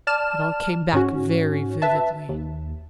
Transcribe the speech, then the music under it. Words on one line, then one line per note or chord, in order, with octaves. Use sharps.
It all came back very vividly.
D5 A5 F6 E7
G#2 C#4 F#4
B4 E5 A5
D#2